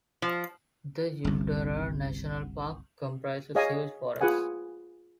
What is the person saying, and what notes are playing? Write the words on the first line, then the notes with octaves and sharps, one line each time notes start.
The Ulidarra National Park comprises huge forests.
F3
G1 C2
G#4 C#5 D#5 F5 G#5
F4 G#4 B4 F#5 G#5